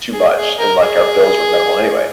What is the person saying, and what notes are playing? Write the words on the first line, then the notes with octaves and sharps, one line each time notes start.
too much and, like, our bills were minimal anyway,
G#4
G#4
A#4
G#4